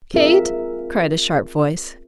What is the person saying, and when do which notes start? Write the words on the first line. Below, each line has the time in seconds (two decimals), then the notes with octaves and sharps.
"Kate?" cried a sharp voice.
0.14 C4 F4 G#4 A#4 E5